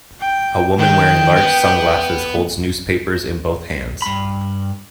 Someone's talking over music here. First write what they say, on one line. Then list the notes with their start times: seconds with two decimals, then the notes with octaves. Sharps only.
A woman wearing large sunglasses holds newspapers in both hands.
0.21 G5
0.79 D#3 G5
1.36 B3
4.02 G2 B5